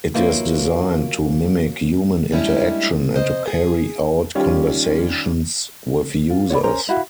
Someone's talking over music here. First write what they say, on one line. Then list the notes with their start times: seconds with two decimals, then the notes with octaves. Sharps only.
It is designed to mimic human interaction and to carry out conversations with users.
0.14 F3 F#3 A#3 D#4 E4 B4
2.32 G3 G#3 A#3 C#4 D4 E4
2.90 C#3
3.14 F2 C3 C5 D#5
3.48 G#4
4.35 D#3 G3 C#4 F4 G4
6.30 F4
6.50 C#5 D5 F#5 B5
6.63 C#4 A#4 C5 A#5
6.89 E4 F#4 F5